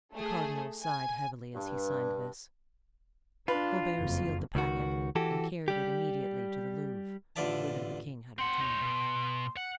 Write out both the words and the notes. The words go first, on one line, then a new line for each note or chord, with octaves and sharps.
The cardinal sighed heavily as he signed this; Colbert sealed the packet, and carried it immediately to the Louvre, whither the king had returned.
A3 G#4
G#5
G2
D4 F4 B4
F#1 F2
C#2 D#3 F#4
E3 F#4 G4 A4
G3 G4
A1 D3 F4 D5 E5 A5
C4 F#5 C6
D#4 C#5
B2
F#5